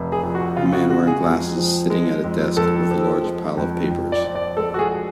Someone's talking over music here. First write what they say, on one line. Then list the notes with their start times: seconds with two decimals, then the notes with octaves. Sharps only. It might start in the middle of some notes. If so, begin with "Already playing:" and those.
A man wearing glasses sitting at a desk with a large pile of papers.
Already playing: F1
0.12 G#4
0.23 F2
0.35 F#4
0.57 C#3 F4
0.73 F#4
0.90 G#3 F#4
1.07 G#4
1.24 F2
1.57 F3
1.90 G#3
2.24 F2
2.57 F2 A4
2.91 F3
3.24 G#3
3.57 F2
3.91 F2
4.12 D5
4.24 F3
4.35 D5
4.57 G#3 A4
4.74 F#4
4.79 G#4